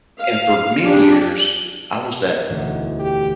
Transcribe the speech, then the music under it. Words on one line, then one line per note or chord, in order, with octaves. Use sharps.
and for many years, d I was that
F5
D4 G4 G#4
E1 D2 D#4
G4